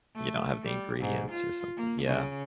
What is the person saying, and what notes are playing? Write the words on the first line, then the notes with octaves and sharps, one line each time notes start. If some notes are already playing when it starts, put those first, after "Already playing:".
You don't have the ingredients or something. Yeah.
A3
G3
G#2
F4
A#3
C#3